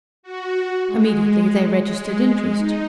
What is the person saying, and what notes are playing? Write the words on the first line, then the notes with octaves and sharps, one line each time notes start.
Immediately, they registered interest.
F#4
G#3
G#3
D#4